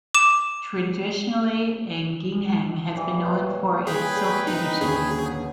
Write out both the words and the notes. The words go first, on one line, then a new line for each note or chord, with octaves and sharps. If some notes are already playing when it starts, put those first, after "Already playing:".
Traditionally, An Giang has been known for its silk industry.
D6 E7
A#2 E3 G3
C#5 D5 E5 C6
C#3 G#4 B4 G5 B5
C4 D#4
D#2 D3 C#4 G#4
F#3 B3